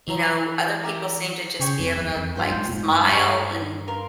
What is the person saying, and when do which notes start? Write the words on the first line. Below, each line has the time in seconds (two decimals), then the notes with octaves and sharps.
You know, other people seem to just be able to, like, smile and
0.07 E3 C5 E5 A#5
0.83 G4 A#4 E5 A#5
1.59 C#3 G#4 C#5 G5 C#6
1.79 F2
1.98 E2
2.16 F2
2.35 G2 F4 C5 G5 C6
2.51 G2
2.54 G#2
2.69 A#2
2.73 G#2
2.92 G2
3.11 G2 G4 C#5 F5 A#5
3.88 A#4 F5 C6